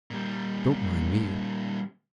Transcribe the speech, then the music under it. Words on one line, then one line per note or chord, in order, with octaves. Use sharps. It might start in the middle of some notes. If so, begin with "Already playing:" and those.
"Don't mind me."
A#2 G3